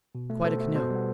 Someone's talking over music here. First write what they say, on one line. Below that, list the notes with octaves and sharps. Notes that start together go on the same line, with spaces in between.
"Quite a canoe."
B2
A3
B2 A4 C5
A3
B2 A4 C5
G3 B3